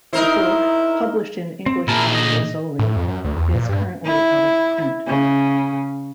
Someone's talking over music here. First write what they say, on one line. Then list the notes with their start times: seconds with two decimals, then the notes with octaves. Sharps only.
The book, published in English by Rizzoli, is currently out of print.
0.13 D#4 E4 A#4 C5
1.66 C4
1.88 A#2 E4 G#4 A#4 A5
2.15 D#5
2.79 A2
2.96 F2
3.08 F#2
3.24 D2
3.36 E2
3.54 A#2
3.69 G2
4.05 E4
5.07 C#3